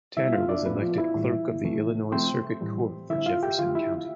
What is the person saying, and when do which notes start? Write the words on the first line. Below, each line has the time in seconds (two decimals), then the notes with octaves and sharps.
Tanner was elected clerk of the Illinois Circuit Court for Jefferson County.
0.17 B2 G3 E4 E5
0.33 F4 F5
0.49 D4 D5
0.66 A2 F3 A3 B3 B4
0.82 F3 F4
0.98 E4
1.14 A2 E3 G3
1.64 C3 E3 A3
2.12 C3 F3 A3 C4 C5
2.61 A2 E3 G3
3.10 D3 G3 E4 E5
3.26 F4 F5
3.43 G4 G5
3.59 D3 F3 A3 F4 F5
3.75 E4 E5